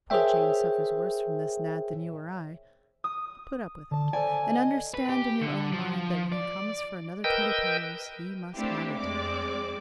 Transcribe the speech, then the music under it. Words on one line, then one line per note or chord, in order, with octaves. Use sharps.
Poor Jane suffers worse from this gnat than you or I. Put up with it; and understand in your own mind that when he comes for another twenty pounds he must have it.
G#4 A#4 C5 C#5 E5 G5
D#6
D3 A5
A4 C5 D5 G#5
D#5
B4
G4
D3
F3
D5
A#4 B4 D#5 G5 E6 G6
A3 A#3 C4 D4 E4 G4
F2 G#3 C4 D5 D6